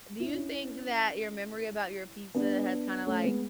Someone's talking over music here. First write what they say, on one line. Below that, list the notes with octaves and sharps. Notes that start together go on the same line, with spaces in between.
do you think that your memory about your pizza has kinda, like,
E4
D4
C#4 E4
B3 D4
A3 C#4
G#3 B3